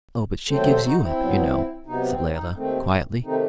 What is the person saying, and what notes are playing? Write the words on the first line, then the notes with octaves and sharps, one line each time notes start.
"Oh, but she gives you up, you know," said Layelah, quietly.
D#2 D#3 F#3 A3 C4 A4 C5
A4 C5
D#4 F#4
C4 E4
B2 F#3 B3
C3 F#3 B3 D#4
C4
D#4
D#2 D#3 A3 C4
C3 D#3 A3 C4 D#4